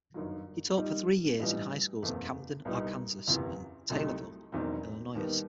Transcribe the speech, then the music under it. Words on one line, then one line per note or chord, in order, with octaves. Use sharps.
He taught for three years in high schools at Camden, Arkansas, and Taylorville, Illinois.
G1 F#2 D#3 F#3
D#2 D#3 G3 D#4
A1 G2 E3 G3 D#4
F#1 E2 B2 A3 C4
C2 B2 G3 D#4
F#1 E2 C3 E3 B3
C2 C3 F#3 A3 D#4
E1 E2 D#3 F#3 C4
D#2 D#3 G3 B3 D#4